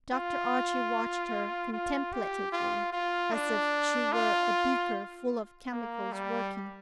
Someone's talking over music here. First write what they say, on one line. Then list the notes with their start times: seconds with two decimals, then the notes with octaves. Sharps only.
Dr. Archie watched her contemplatively, as if she were a beaker full of chemicals working.
0.13 F4
1.73 F4
2.13 G4
2.52 F4
2.93 F4
3.32 D4
4.12 F4
5.72 A#3
6.12 G3